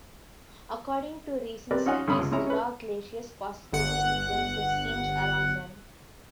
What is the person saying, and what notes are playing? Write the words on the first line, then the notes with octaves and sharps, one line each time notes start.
According to recent studies, rock glaciers positively influence the streams around them.
C4 G4 A#4 B4 D5
C#4 D#4 F4 F#5 G#5 F6
G2 D3 C#4 B5 D#6
C#2
G#3 C#4 E4 A#5
C#4 B4
G1 F#5